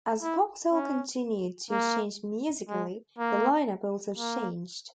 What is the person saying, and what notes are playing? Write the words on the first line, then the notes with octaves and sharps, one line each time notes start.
As Foxhole continued to change musically, the lineup also changed.
E4
C#4
A#3
G#3
A#3
A#3